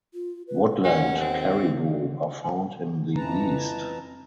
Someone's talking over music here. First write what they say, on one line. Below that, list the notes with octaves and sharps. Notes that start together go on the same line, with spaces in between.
Woodland caribou are found in the east.
F4
B4
D#2 C#4 F#5
C4
F2 E3 B4 A5 A#5